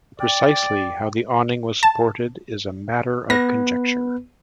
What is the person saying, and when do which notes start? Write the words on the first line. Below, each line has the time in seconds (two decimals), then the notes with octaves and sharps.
Precisely how the awning was supported is a matter of conjecture.
0.20 D5 G5
1.83 A5
3.30 B3 B4 A#6